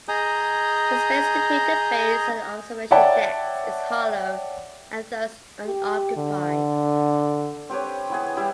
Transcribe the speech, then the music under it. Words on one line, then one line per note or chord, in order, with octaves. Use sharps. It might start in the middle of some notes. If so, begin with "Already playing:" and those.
The space between the base and the observation decks is hollow and thus unoccupied.
G#4 D#5 G#5 A#5 D#6 G6
C#5 D5 E5 F#5 G5 A5
G4
D3
C4 G4 B4 C#5
E3 B3 G#4
G3 E4 G4